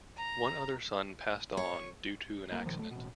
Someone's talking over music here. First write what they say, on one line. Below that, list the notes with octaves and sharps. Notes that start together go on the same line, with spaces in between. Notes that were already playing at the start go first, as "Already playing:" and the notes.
One other son passed on due to an accident.
A#5
C#5
F#1 C2 A#3
D#2 A#2 D#3 F3
D1 A3
A1 B2